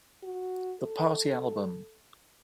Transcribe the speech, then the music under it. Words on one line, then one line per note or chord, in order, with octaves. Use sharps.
The Party Album!
F#4
A4